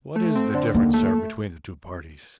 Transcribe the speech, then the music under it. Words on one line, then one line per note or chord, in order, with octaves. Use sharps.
"What is the difference, sir, between the two parties?"
A3
C4
D3
D#2 A#3
A3